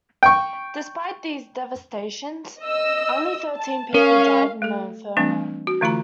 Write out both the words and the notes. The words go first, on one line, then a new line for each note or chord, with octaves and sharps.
Despite these devastations, only thirteen people died in the inferno.
G5 C#6
D#5 E6
A5
C#4 A#4 F5
A3 A4
E3 G3 A3 C4 D4
F#4
D3 E3 A3 E4 F4 A#5